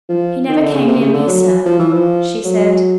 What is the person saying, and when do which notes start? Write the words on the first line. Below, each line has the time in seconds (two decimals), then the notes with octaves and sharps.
"He never came near me, sir," she said.
0.09 F3
0.49 D#3
0.61 D3
0.75 C#3
0.88 C3
1.01 C#3
1.14 D3
1.27 F#3
1.66 F3
1.80 E3
1.93 F3
2.45 F#3